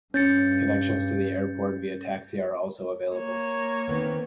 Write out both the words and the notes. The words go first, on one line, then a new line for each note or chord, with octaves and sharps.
Connections to the airport via taxi are also available.
G2 C#4 G6 A6 C#7
A#3 C#5
D#3 B3 C4